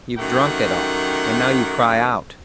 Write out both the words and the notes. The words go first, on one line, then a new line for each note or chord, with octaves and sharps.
You've drunk it all and now you cry out.
F#2 D#3 A3 G4 A#4 F#5